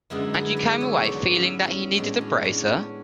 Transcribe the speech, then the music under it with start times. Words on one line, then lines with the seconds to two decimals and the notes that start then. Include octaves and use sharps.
And you came away feeling that he needed a bracer?
0.10 F#2 D3 G#3 B3 E4 G#4
0.34 G#4 B4
0.57 B4 D5
0.80 A4 C#5
1.04 G#2 F#3 B3 B4 D5
1.35 C#4 E4
1.66 C#4
1.97 A2 G#3 B3 D4
2.21 C#4
2.45 D4
2.68 C#4